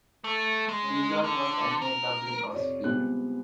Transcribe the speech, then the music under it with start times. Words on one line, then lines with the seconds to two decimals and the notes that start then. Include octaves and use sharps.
The result was a near-doubling of speed.
0.24 A3
0.69 G#3
1.24 D3
1.82 A#4
2.53 F2 C3 C#5 D5
2.84 C#2 G3 B3 C4 G4 F#6